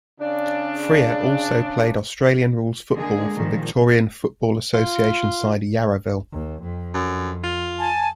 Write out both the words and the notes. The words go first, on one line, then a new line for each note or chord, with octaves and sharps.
Freer also played Australian rules football for Victorian Football Association side Yarraville.
C#3 D4
D3 G#3 A#3 G#4
A#2 D#3 F3 G3
F4
D#2
F2
F#2
F4
G#5 A5